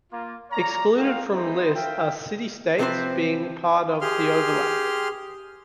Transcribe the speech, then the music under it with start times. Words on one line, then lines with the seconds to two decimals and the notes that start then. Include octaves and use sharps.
Excluded from list are city-states being part of the overlap.
0.12 A#3 F4
0.50 C#5 D5 F5 A#5
0.97 D#4 F4 F#4 F5 G5
1.33 B3 D#4 E4 C5
1.75 E5 F5 G5
2.79 C3 F3 C4 F4 B4 C5
4.01 G4 G#4 C6 F6